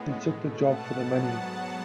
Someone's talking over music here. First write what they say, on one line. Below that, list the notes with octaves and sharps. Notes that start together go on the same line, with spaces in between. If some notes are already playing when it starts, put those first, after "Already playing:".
He took the job for the money.
Already playing: A2 G#3 B3
B2 A3
F#5 A5
G#2 F#3 B3
F#5 A5